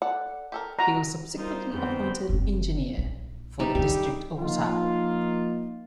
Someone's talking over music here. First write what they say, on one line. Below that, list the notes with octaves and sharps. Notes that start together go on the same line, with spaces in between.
He was subsequently appointed engineer for the District of Otago.
A4 D5 F#5
G4 A4 A#4
E4 F#4 A#5
G3 D#4 F4 A#4 C5
F2 G#2 D3 B3 C4 G6
F#1 C4
A#1 E4
G3 D#4 E5
D#3 D4 G4
F3 A#3 D#4 F4